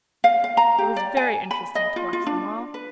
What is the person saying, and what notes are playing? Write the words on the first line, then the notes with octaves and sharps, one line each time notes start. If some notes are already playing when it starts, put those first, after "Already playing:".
It was very interesting to watch them all.
F5
F5
A#5
G4
D5
G#5
B5
D#5
F4
F4
D4
B4